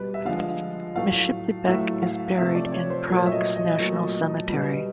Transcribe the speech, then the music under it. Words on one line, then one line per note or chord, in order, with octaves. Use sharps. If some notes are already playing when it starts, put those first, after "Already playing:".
Myslbek is buried in Prague's National Cemetery.
Already playing: B2 G3 B4
E5
D3 F3 G#3 F5
A2 F#3 A3 F5
A2 F#3 A3 E5
F5
C3 F3 A3 E5
D5
C#5
C5
A#2 F#3 A3 C#5
E5
D#5
D#5
A#2 F#3 A3
B2 G3